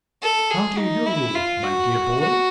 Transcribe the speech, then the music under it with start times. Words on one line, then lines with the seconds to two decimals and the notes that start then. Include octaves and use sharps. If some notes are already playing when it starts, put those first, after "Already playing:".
How do you do, my dear boy?
0.23 A4
0.51 G#4
0.79 D#4
1.07 E4
1.35 F4
1.64 F#4
2.20 F#4